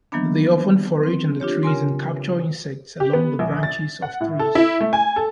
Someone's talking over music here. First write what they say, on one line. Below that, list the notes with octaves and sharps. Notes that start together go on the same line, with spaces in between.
They often forage in the trees and capture insects along the branches of trees.
D#3 E3 F#3 A#3 B3 D4
C4
D4 F4 G4 C#5
C#3 A#4 G#5 C6
G4
B3
A#1
A6
F#5
A2
A4
E4
A3
G#5
A4